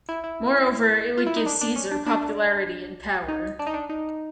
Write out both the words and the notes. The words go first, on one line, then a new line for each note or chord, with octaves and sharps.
Moreover, it would give Caesar popularity and power.
E4
E4
F4
E4
D#4
D4
D4
C#4
D4
D4
D#4
D4
D#4
D4
D#4